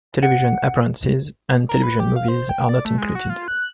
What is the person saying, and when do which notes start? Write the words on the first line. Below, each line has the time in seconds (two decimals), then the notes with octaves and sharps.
Television appearances and television movies are not included.
0.23 F#5
1.69 A#4
1.83 B4
2.00 G4
2.16 F5
2.28 C5
2.49 G5
2.69 D5
2.85 A3
2.98 G#3
3.15 F#4
3.30 F4
3.48 F#6